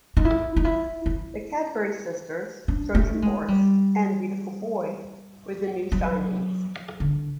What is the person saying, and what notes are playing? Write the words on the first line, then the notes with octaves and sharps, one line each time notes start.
The Cadbury Sisters, Trojanhorse, and Beautiful Boy were the new signings.
D#4
E4
D#4
E4
E4
D4
A3
G#3
G3
F#3
D3